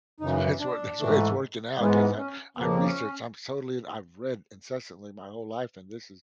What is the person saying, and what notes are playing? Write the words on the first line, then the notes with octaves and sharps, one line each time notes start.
That's why it's wor that's why it's working out 'cause I I researched, I'm totally and I've read incessantly my whole life and this is
F#2 C#3 E3 D#4
D4
G#2 E3 A3
G#2 E3 G#3 B3
C#4
F2 C#3 F3 A#3 B3
C4
C#4